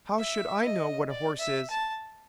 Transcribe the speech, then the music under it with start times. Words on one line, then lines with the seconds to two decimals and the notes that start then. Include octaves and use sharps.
How should I know what a horse is?
0.19 E5
0.64 D#5
1.10 D5
1.39 E5
1.70 A5